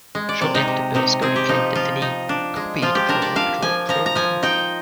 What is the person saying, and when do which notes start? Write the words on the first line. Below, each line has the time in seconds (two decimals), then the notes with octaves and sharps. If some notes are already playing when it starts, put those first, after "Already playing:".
Shortly after Berlusconi claimed that Dini "copied our electoral programme".
0.15 G#3
0.29 D5
0.41 C3 D5
0.55 D#4
0.68 C3
0.95 C3 D#4
1.22 C4 G#4
1.36 G4
1.48 F3 D#4
1.75 F3 F4
2.02 D#4
2.29 D4
2.56 G#3
2.82 F3 F4
2.95 G4
3.09 D4 A#4
3.22 D5
3.36 D4 F5
3.62 F3 G#5
3.89 F3 A#5
4.06 A#5
4.15 F3 G#5
4.43 D#4 G5